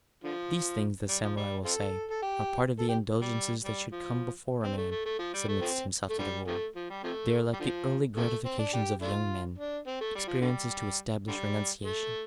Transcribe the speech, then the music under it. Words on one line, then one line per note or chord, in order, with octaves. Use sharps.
These things, the samurai will say, are part of the indulgences that should come before a man submits himself to the Rule; they are like the early gratifications of young men, experiences to establish renunciation.
D3 F3
G3
F3
G3
C4 F4 A4
A4
G4
A4
G4
G3
G3
F3
C4
A3
A3
A3
F3
G3
A3
F3 A3 C4
A3
D3 G3
C3 F3 A3
F3
G3
C3 F3 A3
G3
D3 F3
C3 F3 A3
C4
D4
D4 G4
A3 D4 F4
D4
C4
A3
G3
F3
D3 G3
D3 G3
A3